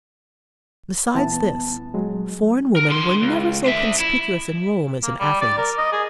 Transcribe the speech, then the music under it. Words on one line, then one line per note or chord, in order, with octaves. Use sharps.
Besides this, foreign women were never so conspicuous in Rome as in Athens.
D#1 E3 B3 A5
F#3 G#3
A#4
D3 C6
C#2
D4 E5
E4
A#3
G3
D5
A#4
D#5
G#4